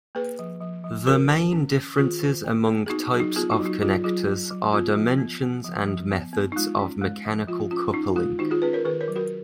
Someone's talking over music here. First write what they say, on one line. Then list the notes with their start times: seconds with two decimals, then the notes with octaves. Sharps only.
The main differences among types of connectors are dimensions and methods of mechanical coupling.
0.15 A#3 G#4 B4
0.39 F3
0.61 F3
0.84 F3
1.07 C#4 F#4 A#4
1.30 D#3
1.53 C#4
1.75 C#4
1.98 D#3 F4 G#4
2.21 D#3
2.44 A#3
2.67 A#3
2.86 G#4
2.90 B3 D#4 F#4
3.13 F#3 G#4
3.20 D#4 F#4
3.36 B3 F4 G#4
3.51 D#4 F#4
3.59 F#3
3.66 D#4 F#4
3.82 F#3 F4 G#4
4.04 F#3 F4 G#4
4.27 F#3
4.50 F#3
4.73 B3 F4
4.96 F3
5.18 B3
5.42 B3
5.64 F3
5.88 F3
6.11 B3
6.33 B3
6.52 D#4
6.56 G#3 F4
6.79 C#4
7.02 G#3
7.25 F3
7.48 F3 F4
7.71 C#4 F4
7.93 C#4 D#4
8.16 G#3 F4
8.39 D#3 D#4 F#4
8.51 F4 G#4
8.62 C#4 G#4 B4
8.73 A#4 C#5
8.85 D#3 G#4 B4
9.01 A#4 C#5
9.08 F#3
9.16 F#4 A#4